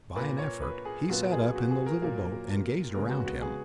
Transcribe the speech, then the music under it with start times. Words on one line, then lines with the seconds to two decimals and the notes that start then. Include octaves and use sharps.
By an effort he sat up in the little boat and gazed around him.
0.16 A#2 A#3 B4
0.39 C#5
0.62 B4
0.85 G#4
1.09 A#2 F#3 B3 F#4
1.32 G#4
1.56 F#4
1.71 G#4
1.86 A#4
2.02 A#2 F#3 A#3
2.95 C#3 G#3 B3 A#4
3.10 F#4
3.26 F#4
3.42 G#4